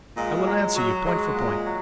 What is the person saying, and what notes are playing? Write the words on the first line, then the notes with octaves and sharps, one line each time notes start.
I will answer you, point for point.
A#2 G#3
F#3
F#3
F#3 G#3
A#2
F#3